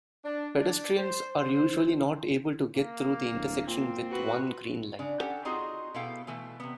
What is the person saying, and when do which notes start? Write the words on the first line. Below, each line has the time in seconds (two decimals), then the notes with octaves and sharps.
Pedestrians are usually not able to get through the intersection with one green light.
0.25 D4
0.56 D4
0.96 C5
1.40 C5
2.75 A#3
3.33 D1
3.67 A#2 C4
4.11 F#4 B4
4.99 C#3 D4
5.20 C#4 G4 A4 F#5
5.45 C4 D#4 F4 F#4 G#4 D#5
5.95 B2 B3 E4 A4 F5 G5
6.27 B2 E3 A3
6.60 C3 B3